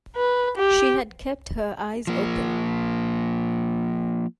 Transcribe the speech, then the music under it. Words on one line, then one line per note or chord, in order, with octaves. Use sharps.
She had kept her eyes open.
B4
G4
F3 A#3